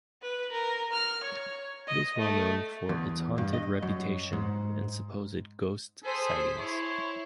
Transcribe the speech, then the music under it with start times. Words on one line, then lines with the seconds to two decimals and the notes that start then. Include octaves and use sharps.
It is well known for its haunted reputation and supposed ghost sightings.
0.22 B4
0.52 A#4
0.93 F6
1.24 C#5
1.87 D#5
2.18 A3
2.89 E2
3.38 G2
3.53 D#5
3.82 F#2
4.33 G#2
6.05 G#4 A4 C5 B6
6.60 E4 C#5 C6